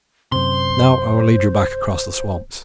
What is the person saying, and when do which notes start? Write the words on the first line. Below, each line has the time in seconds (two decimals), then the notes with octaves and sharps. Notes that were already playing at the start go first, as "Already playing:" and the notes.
Now I will lead you back across the swamps.
0.32 F#2 C3 C5 C6